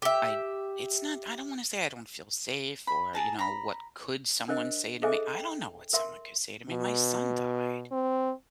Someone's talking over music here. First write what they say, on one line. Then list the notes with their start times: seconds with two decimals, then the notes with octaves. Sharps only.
I it's not I don't wanna say I don't feel safe or, you know, what could someone say to me. I don't know what someone could say to me; my son died,
0.02 G4 E5
2.87 B5
3.13 G#4 A5 A#5
3.39 A#5 B5
4.48 D4 A#4 C5 D#5
5.02 G#4 A4 C5 D#5 E5 G#5
5.35 G5
5.93 A#4 E5 C6
6.69 B2
7.91 C4